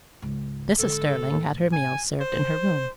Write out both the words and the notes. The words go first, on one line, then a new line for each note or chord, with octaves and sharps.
Mrs. Sterling had her meals served in her room.
C#2 G#2
G#2 D3 A4
A2
G#5
C5